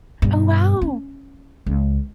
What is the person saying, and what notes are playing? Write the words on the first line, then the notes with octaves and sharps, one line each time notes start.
Oh, wow.
G2 B2
C#4
C#2